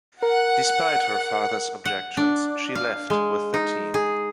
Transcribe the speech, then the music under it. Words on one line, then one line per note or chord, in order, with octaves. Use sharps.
Despite her father’s objections, she left with the team.
A#4 F#5
F#5
D4
F5
G#3
D#4
G#4